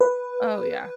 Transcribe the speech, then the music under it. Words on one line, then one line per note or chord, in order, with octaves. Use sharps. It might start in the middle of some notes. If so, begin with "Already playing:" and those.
Oh, yeah.
B4